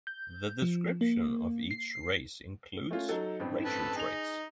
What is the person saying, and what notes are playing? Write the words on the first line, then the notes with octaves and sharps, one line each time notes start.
The description of each race includes racial traits.
G6
F3
A#3
C7
A3 C#4 F4
F#3 D#4 A4
A1 G2 C4
A4 B4 A5
D#4 G#4 F7